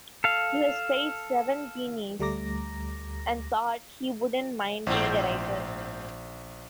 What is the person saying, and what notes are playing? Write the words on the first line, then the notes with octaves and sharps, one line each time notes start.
He was paid seven guineas, and thought he "wouldn't mind being a writer".
A4 F5
D2 G3 A3 A#5 D6 A#6
A#1 G#2 C4